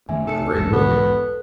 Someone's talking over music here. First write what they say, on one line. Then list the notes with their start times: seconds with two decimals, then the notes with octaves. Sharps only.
Great movie.
0.09 F#2 D#3 A3 E5 G#5
0.27 C3 G#3 A3 D#4 A4 C#7
0.58 B1 E2 G#2
0.73 B3 A4 B4 F#6